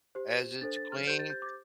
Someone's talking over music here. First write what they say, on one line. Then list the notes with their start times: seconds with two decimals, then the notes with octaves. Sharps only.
As it's clean,
0.15 G4 C5
0.61 D4 A4 C5 A6
0.76 A6
0.92 F6
1.07 G4 C5 G6
1.19 A6
1.30 G6
1.42 D6